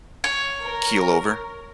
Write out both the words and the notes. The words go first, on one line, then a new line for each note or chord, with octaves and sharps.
keel over?
C#5
A#4